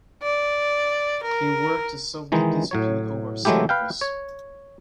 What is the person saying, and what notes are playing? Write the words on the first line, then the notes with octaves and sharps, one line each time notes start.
He worked to solve the dispute over Cyprus.
D5
A#4
D#3 E3 G#3 D#4
A2 F#3 C#5
E3 F#3 G#3 A3 E4 G4
B4 F5 G5
C#5